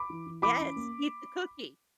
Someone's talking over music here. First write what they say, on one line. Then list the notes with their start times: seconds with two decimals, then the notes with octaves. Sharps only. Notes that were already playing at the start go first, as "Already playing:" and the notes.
Yes, eat the cookie.
Already playing: B5 D6
0.10 E3
0.26 E3
0.42 E3 B5 D6
0.59 C#4
0.76 A#3